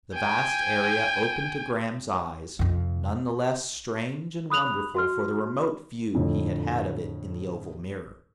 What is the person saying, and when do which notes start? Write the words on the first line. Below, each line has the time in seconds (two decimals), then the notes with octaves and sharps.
The vast area opened to Graham's eyes, none the less strange and wonderful for the remote view he had had of it in the oval mirror.
0.15 G5 G#5
2.59 F2 C3
4.50 B5 D#6 F#6 F7 F#7
4.95 F#4 C6 F6
6.15 F2 A2 D3